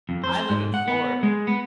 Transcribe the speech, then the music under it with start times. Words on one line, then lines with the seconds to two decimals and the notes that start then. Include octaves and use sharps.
I live in Florida.
0.09 F2
0.24 C5
0.50 G#2
0.74 F#5
0.88 B3
1.23 G#3
1.47 B3